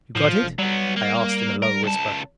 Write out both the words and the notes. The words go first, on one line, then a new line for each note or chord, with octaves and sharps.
"You got it?" I asked in a low whisper.
A2 F3
E1
F#3 G3 B3
A#3
A#4
C#2 A5